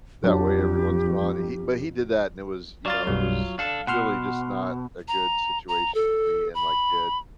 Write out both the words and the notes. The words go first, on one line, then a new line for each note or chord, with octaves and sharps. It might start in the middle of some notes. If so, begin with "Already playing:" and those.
that way every once in while, but he but he did that, and it was you know, it was really just not a good situation for me and my kid.
F2 F#3 D4 G4
F#3 F4 D5 F5 A6
B1 F#2 G3
D4 A4 F5
B2 F#5 C6 F6
A#5
A#5
A4
B5